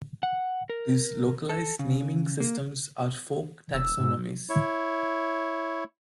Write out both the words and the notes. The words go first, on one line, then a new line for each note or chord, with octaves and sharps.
These localised naming systems are folk taxonomies.
F#5
A#4
A4
C#3
A#3
E1 E6
G#2
E4 C#5